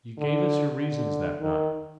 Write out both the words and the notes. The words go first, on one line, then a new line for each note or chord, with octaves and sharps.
You gave us your reasons that night.
D3
D3
D#3